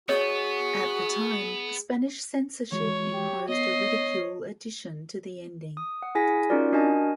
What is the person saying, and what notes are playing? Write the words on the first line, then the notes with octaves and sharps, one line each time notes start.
At the time, Spanish censorship imposed a ridicule addition to the ending.
B3 F#4 G#4 C#5 D#5
E3 G#3 F#4 C#5
G4
B3 C#5 D#5 C7
D#6
F#5
E4 G#4 G#5 A#6 B6
C#4 D#4 F4 F#4 A#4 D5
D4 F#4 A#4 D#5 G#5 A5